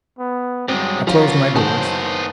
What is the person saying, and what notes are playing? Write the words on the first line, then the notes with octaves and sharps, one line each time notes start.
I closed my doors.
B3
G2 F#3 G#3 C4
C#3 F3 F#3 F4
F#1 D#3 F#3 B3 C5 A5